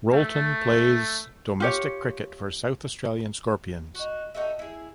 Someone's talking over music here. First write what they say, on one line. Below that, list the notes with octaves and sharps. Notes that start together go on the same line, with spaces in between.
Rolton plays domestic cricket for South Australian Scorpions.
A3
F4 G4 C#5
D#4 F#4
D#4 F#4 A4 E5
E4 G#4